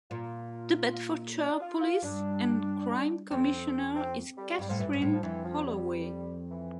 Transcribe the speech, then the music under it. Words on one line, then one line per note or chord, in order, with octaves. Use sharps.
The Bedfordshire Police and Crime Commissioner is Kathryn Holloway.
A#2 F4
D4
F4
F4
G2 D4
F2 C4
C4
G3
G2 G3
A2 F3
G2 E3
G2 F3
A2
F3
F2 E3
F3
G3
E3